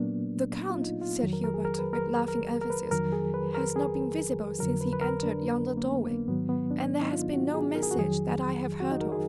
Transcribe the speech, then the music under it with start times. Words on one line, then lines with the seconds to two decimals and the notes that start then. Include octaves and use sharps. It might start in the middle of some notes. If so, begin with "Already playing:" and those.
The count," said Hubert, with laughing emphasis, "has not been visible since he entered yonder doorway, and there has been no message that I have heard of.
Already playing: A#2 F#3 A#3 B3 D4
0.70 F4
0.81 D#4
1.01 F4
1.22 F2 D#3 F#3
1.33 A#4
1.44 A#4
1.54 G#4
1.65 A#4
1.79 B4
1.93 A#4
2.28 A#4
2.61 A#4
2.70 B4
2.91 F2 D#3 F#3 A#4
3.13 G#4
3.34 B4
3.55 A#4
3.76 G#4
4.59 F2 D3 F#3 A#4
4.81 B4
4.93 B4
5.01 A#4
5.23 D4
5.77 A#3
5.86 B3
6.07 A#3
6.28 G#2 D#3 F#3 B3
6.49 B3
6.71 D4
7.01 D#4
7.13 F4
7.33 F#4
7.54 G#4
7.75 A#4
7.83 G#4
7.91 F#4
7.97 F2 D#3 F#3 G#4
8.80 F#4
8.92 D#4
9.01 A#4
9.12 G#4